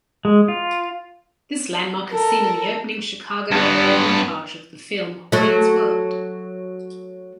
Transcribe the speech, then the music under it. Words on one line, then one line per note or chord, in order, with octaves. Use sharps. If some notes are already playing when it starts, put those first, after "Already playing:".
This landmark is seen in the opening Chicago-area montage of the film "Wayne's World".
G#3
F4
A4 A#4
G2 B3
F#3 A3